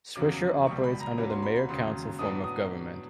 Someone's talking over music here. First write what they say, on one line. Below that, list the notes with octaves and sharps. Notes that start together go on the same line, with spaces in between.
Swisher operates under the mayor-council form of government.
F1 E2 C#3 F#3 D6
C#2 B2 G3 C#6
B5
A#5
D2 D3 F#3 A#3 C#4 B5
C6
B5
B5
E1 D#2 C#3 F#3 C6
A2 F#3 B3 D4 D#6
D#6